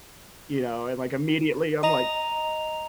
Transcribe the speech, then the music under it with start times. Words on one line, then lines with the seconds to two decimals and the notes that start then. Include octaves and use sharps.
you know, and, like, immediately, I'm like
1.83 D#5 A#5 F7